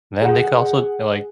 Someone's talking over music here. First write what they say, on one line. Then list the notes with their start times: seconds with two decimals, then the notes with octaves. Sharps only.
then they could also d like
0.22 G#4 F#5